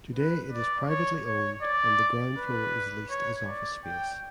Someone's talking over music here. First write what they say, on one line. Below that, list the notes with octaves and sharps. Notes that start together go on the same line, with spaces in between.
Today it is privately owned and the ground floor is leased as office space.
B4
D5
C#5
C#5
D5
B4
C#5
D5
G5